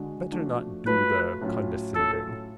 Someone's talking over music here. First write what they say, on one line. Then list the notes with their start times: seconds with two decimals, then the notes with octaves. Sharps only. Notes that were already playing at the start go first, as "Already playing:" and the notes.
Better not do the condescending.
Already playing: D3 G#3 D4 F#4
0.32 F3 A3 D4 F#4
0.86 F#3 A3 F4 B4
1.41 A2 F#3 C#4 F4
1.95 A2 F#3 C#4 F4 A4